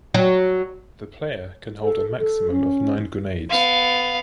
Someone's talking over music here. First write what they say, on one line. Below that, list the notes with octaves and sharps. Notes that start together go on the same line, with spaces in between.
The player can hold a maximum of nine grenades.
F#3
A4
A4
C#4
B3 F5